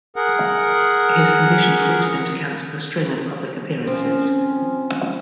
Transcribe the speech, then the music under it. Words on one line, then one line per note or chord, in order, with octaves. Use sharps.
His condition forced him to cancel a string of public appearances.
G#4 A#4 F#5
F3 C4 C#4